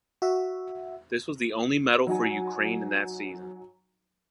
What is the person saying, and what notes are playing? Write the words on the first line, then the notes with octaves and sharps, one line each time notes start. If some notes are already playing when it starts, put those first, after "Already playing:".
This was the only medal for Ukraine in that season.
F#4 E5
F#3 D#4 F#4 G#5